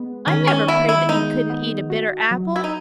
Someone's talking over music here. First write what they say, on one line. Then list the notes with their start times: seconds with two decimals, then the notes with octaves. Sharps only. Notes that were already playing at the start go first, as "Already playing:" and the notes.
I never prayed that you couldn't eat a bitter apple.
Already playing: G#3 B3
0.27 D#3 C#4
0.47 C#4
0.68 B3 E4
0.89 E4
1.09 G#3 D#4
1.50 B3
1.90 F#4
2.31 F#3
2.56 E4
2.64 D#4